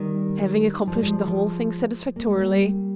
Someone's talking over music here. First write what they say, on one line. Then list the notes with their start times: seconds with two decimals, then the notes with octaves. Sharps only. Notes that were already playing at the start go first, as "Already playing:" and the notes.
"Having accomplished the whole thing satisfactorily."
Already playing: D#3 G3
0.87 F3
0.95 G3
1.03 F3 G#3
2.16 A#3
2.26 G#3
2.37 G3 A#3